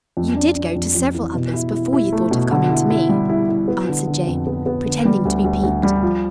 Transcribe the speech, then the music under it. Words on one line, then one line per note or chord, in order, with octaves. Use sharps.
"You did go to several others before you thought of coming to me," answered Jane, pretending to be piqued.
F2
D4
D4
F2
F2
E3
B2
E4
E4
E4
A3
B2
D3
E4
E4
G3
E4
E4
B3
D3
D3
F2
B3
B3
D3
G3
D2
D2
D2
G3
F3